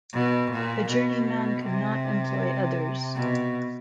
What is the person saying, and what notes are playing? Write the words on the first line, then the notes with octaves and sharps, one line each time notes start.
A journeyman could not employ others.
B2
A#2
B2
C3
B2